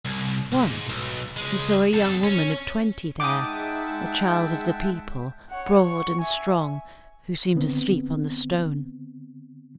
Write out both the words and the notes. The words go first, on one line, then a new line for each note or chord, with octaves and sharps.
Once he saw a young woman of twenty there, a child of the people, broad and strong, who seemed asleep on the stone.
C2
G#2
B1
C#2 G#3
C4 A4
C#4
G#3 D#4 E5 F#5 G5 A5 D6 D#6
C#5 F#5
C#6
E5 G#5
D3 B3 C4